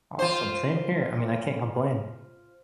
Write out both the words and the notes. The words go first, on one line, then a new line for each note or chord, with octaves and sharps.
Awesome. Same here. I mean, I can't complain.
F4 C5